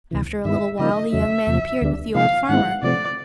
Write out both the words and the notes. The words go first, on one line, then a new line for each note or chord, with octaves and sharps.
After a little while the young man appeared with the old farmer.
D2 C3 E3
G2 D#3 G#3 B3 E4 E5
C#3 F3 A#3 D#4 D#5
E2 C#3 F#3 E5
E2 C3 F3
D2 D3 G3 B3 D4
C3 F3 A#3 D#4 F5
G#2 D#3 G#3 C4 E4 F#5
C3 F3 A3 C4 D5